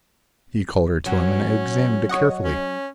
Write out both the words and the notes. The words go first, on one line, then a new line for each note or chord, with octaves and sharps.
He called her to him and examined it carefully.
F#3 C#4
C#5 D#5 F#5
C#4